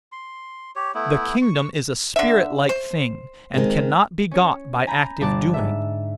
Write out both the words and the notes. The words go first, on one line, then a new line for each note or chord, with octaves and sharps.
The kingdom is a spirit-like thing, and cannot be got by active doing.
C6
G4 C#5
A3 B3 E4
C#6
D3 E5
C5
D#3 G#3 C4
C#4 C#5
G#5 A#5 B5 G6
G1 D4 D5 F#6
G#2 E5